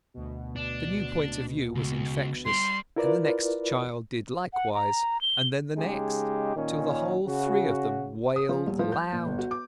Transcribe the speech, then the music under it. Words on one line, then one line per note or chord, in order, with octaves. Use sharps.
The new point of view was infectious, and the next child did likewise, and then the next, till the whole three of them wailed loud.
D2 B2
D4
C#2
G3 C6
E4 F4 A#4 B4 D5
F#5
A#5
G7
C#3 G#3 D#4 G4
A#2 D#3 C#4
C#3 F#4
D#6
F3
D#1
F3
G6
A#2
G1
F#4
D6